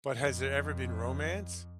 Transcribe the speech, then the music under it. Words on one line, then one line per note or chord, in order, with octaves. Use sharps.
but has there ever been romance?
F2